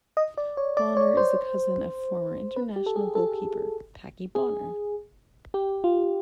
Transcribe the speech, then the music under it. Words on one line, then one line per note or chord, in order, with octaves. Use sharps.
Bonner is a cousin of former international goalkeeper, Packie Bonner.
D#5
D5
C#5
D5
C#5
C5
B4
G4
A4
G#4
A4
G#4
G4
F4